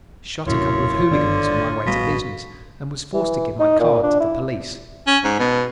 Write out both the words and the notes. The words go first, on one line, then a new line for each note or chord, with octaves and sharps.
Shot a couple of hooligans on my way to business and was forced to give my card to the police.
D#1 F#2 A2 C3 E4 F4 C#5
G1 D3 D#3 B3 D5
A1 B2 G3 F5
E3
D#4
A#2
D4
E4
C#4
G#2
B2